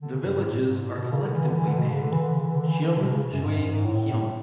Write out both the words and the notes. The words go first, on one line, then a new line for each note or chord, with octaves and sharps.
The villages are collectively named "Sheung Shui Heung".
D3
C#3
F#2
G#2
A2
B2
G#2
G#2
A2
C#3
B2
C#3
D3
E3
D3
E3
D3
B2
C#3
D3
E3
D3
C#3
E3
D3
E3
D3
B2
C#3
F#2
G#2
F#2
G#2
A2
A2
A2